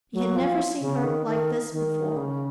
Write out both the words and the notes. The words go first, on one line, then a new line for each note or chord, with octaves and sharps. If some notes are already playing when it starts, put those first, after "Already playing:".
He had never seen her like this before.
F#3
F3
C#3
D#3
D#3
D#3
C#3